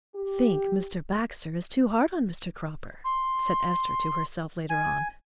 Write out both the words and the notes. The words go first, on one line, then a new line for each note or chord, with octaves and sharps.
"I think Mr. Baxter is too hard on Mr. Cropper," said Esther to herself later on.
G4
C6
G#5